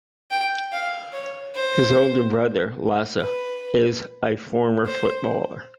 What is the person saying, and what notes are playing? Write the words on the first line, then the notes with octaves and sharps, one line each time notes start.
His older brother, Lasse, is a former footballer.
G5
F5
C#5
C5
B4
C5